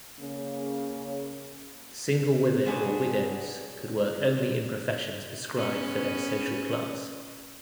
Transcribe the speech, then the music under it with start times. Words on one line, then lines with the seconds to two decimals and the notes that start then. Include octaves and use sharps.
Single women or widows could work only in professions prescribed for their social class.
0.19 C#3 A#3 C#4
2.65 C3 F#3 B3 D4 F#4 G#4
5.55 B3 C#4